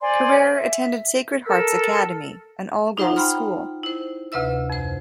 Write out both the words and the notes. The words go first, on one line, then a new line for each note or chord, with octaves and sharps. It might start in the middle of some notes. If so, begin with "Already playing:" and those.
Carrere attended Sacred Hearts Academy, an all-girls school.
C5 D5 G#5 C6
E5
A4 A#4 E6
D#4 F4 C5 F#5 A#5
G5 B5 C6 F6
E4 C5
D2 C3 B4 E5 E6
F2 C5